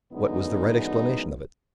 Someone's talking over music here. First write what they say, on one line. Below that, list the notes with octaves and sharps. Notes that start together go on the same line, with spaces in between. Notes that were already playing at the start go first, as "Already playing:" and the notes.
What was the right explanation of it?
F#2 D3 E3 G#3 B3 D#4